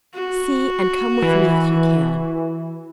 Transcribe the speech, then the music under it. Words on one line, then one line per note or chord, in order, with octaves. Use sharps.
See and come with me if you can.
F#4
E3